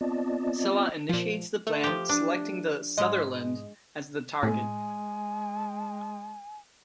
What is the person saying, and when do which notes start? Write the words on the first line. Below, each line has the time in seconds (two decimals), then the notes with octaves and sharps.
Sela initiates the plan, selecting the "Sutherland" as the target.
0.01 B3 C4 F4 D5 D#5 A5
1.09 A#2 F3
1.67 A3
1.84 F3 G4
2.09 D4
2.98 G#2 G#3 D#5
4.43 A2 G#3 G#5